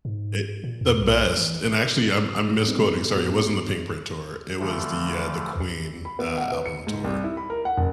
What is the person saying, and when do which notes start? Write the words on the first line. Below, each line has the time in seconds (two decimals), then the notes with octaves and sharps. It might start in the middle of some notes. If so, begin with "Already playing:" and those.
It The best, and actually I'm I'm misquoting sorry, it wasn't the Pinkprint Tour it was the, uh the Queen, uh, album tour.
0.05 G#2
0.64 A#2
0.81 F2
0.99 B1
1.37 E3
2.66 G3 G#3 B3 C4 D4 D#4
3.13 A2 B3 F#4 G4
4.60 D3 E3 F3 A3
6.05 B5
6.19 B3
6.38 F#5
6.52 B4
6.66 C#7
6.87 G#2
7.04 C2
7.24 E4
7.37 B5
7.50 A#4
7.65 F#5
7.78 F#1